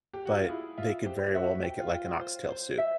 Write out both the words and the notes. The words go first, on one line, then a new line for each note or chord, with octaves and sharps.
but they could very well make it like an oxtail soup.
G4
F#4
F4
E4 G#4
F4 E5
G4 C5
G4
F#4 E5
G5
F4
G5
C5
C5
E5